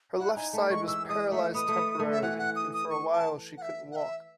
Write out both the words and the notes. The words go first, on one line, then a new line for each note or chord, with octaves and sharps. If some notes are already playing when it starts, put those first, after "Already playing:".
Her left side was paralyzed temporarily, and for a while she couldn't walk.
E4 F#5
D#4 G#5
A3 A5
G#3 C#6
E3 E6
G#3 D#6
A3 E5
B3 D#6
A3
B3
A3
E5
E3 F#5
F#5
D#6
D#6
C#6
A5
F#5
E5
F#5
E5